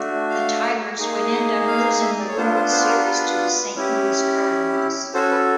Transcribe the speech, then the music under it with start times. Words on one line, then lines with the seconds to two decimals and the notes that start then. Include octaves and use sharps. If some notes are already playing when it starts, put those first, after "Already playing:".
The Tigers would end up losing the World Series to the Saint Louis Cardinals.
Already playing: A3 D4 F#4
0.30 F5
0.99 A#3 D#4 G#4
1.68 F5
2.01 E5
2.10 D#5
2.20 D5
2.28 C#5
2.37 B3 D4 F4 C5
2.55 C5
2.72 C5
2.89 A#4
3.07 B4
3.76 C#4 E4 G4
5.14 C#4 F#4 A4 C5
5.31 B4